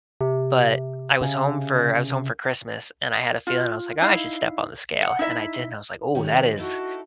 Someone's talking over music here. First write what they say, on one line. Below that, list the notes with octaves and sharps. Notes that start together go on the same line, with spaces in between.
but I was home for I was home for Christmas, and I had a feeling, I was like, "Oh, I should step on the scale," and I did, and I was like, "Ooh, that is
C3
C#3
F4
D#4 E4 F5
F#5
D#4 E4 E5
D#3 G3 C#4
D#4 E4 F#4 A4